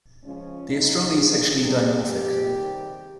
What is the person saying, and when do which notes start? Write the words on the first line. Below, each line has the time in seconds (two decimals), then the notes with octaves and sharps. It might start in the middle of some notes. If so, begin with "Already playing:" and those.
They are strongly sexually dimorphic.
0.24 C#3 F3 G#3 C#4
0.68 C#3 G3 D#4
1.14 C3 F3 G#3 G#4
1.59 C3 G3 G#4
2.03 C3 F3 G#3 G4
2.48 C3 D#3 G3